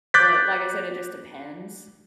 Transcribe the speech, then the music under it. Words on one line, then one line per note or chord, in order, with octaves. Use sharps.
but, like I said, it just depends.
D6 F#6 G6 A6 B6